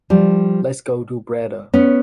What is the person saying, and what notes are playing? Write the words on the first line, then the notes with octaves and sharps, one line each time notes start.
Let's go to Breda.
F3 G3
B3 C#4